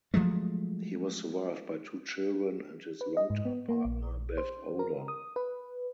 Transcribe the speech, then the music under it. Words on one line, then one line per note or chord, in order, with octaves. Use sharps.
He was survived by two children and his longtime partner Bev Oda.
F3 F#3 G#3 A3
B4
D#5
G#2
B3
A#3
A#1
C5
A#4
D#6
B4